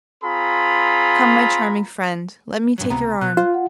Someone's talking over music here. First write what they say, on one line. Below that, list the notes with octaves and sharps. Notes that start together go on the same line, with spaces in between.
Come, my charming friend, let me take your arm.
C4 F4 G#4 A#5 B5
G2 A#2 F#3
C#2 C3 B3 A#5
B2 F#6
F4 C5
F#5